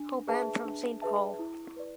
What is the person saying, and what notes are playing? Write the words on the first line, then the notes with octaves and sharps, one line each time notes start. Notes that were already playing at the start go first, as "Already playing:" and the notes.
Hoban from Saint Paul.
Already playing: D4
G#4 B4 E5 A5
D4
G#4 B4 E5 A5
E4
B4 D5